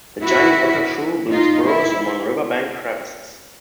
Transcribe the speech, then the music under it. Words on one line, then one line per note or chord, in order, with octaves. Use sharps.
The giant otter shrew builds burrows among riverbank crevices.
E4 F#4
D#4 F4
E4